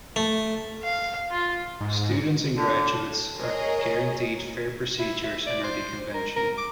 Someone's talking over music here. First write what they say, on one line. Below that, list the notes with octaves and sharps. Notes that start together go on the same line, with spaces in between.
Students and graduates are guaranteed fair procedures under the Convention.
A3
F5
F4
G#2
D3
G#4 A#4 C#5 D#5
E4
E5
D5
C5
A#4
A#4
D6